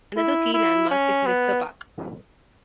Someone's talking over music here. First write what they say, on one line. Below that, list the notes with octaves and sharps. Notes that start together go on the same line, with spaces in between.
Another key landmark is Lister Park.
E4
E4
C#4
B3